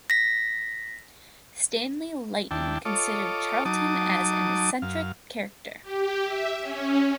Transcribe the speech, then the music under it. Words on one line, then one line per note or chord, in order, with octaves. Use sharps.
Stanley Leighton considered Charlton an "eccentric character".
A#6 B6
D#2 D4 E4 G5 A5
F4 A4 C#5 D#5 D6
F#3 D#4 A5 D6 D#6
F#2 F5
G4
E5
C#4